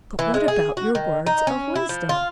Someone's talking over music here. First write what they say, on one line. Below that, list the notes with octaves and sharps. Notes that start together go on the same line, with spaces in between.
'But what about your words of wisdom?'
E3
G#3
G#4
F#4
D#3
D#4
C#4
E4
F3
F4